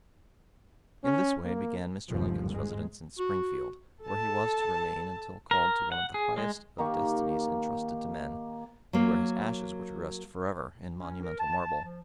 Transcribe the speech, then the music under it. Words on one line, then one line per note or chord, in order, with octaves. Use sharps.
In this way began Mr. Lincoln's residence in Springfield, where he was to remain until called to one of the highest of destinies intrusted to men, and where his ashes were to rest forever in monumental marble.
C#4
A#3
G1 D#2 G#2 C3 F3
G#2 G#3
F#4
A4 A5
A#4
F#5
G#4
G#3
D#3 A#3 G4 C#6
F#3 A#3
C#4
A#4
A5
F3